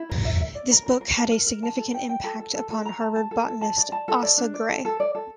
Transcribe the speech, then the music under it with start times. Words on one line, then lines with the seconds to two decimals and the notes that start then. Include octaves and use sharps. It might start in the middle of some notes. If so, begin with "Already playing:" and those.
This book had a significant impact upon Harvard botanist Asa Gray.
Already playing: E4
0.09 A#4
0.25 E5
0.41 E5
0.55 D5
0.71 A#4
0.86 A#4
1.01 A#4
1.17 A5
1.31 A#4
1.47 A#4
1.63 A5
1.78 A4
1.94 G5
2.09 G5
2.24 A4
2.39 A4
2.55 A4
2.70 A4
2.85 A#5
3.01 A5
3.16 A5
3.31 A4
3.47 A4
3.61 A5
3.77 D5
3.92 A5
4.08 A4
4.23 D5
4.38 D4
4.54 D5
4.69 A4
4.85 A4
5.00 D5
5.15 A4